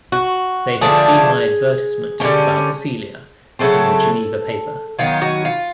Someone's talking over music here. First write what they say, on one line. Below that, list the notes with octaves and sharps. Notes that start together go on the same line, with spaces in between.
They had seen my advertisement about Celia in the Geneva paper.
F#4
D3 F3 A3 D4 G#4
D3 G3 A#3 C#4
C#3 F#3 A3 C4 A4
D#3 F#3 B3 F4
F#4
F4